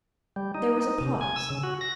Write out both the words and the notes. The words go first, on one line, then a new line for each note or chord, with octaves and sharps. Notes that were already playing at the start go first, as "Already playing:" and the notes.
There was a pause.
G3
D#4
D#4
C3
G#5
E6
C#3
F#4
A#6